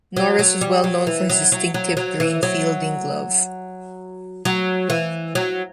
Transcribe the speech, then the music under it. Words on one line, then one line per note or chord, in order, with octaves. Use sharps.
Norris was well known for his distinctive green fielding glove.
F#3
F#3
G3
F#3
E3
F#3
F#3
F#3
F#3
E3
F#3
F#3
E3
F#3